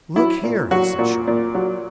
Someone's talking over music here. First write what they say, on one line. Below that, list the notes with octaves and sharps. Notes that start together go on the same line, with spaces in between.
"Look here!" he said sharply.
F#3 E4
A#2
F#3 F#4
A#2
A#2
F#3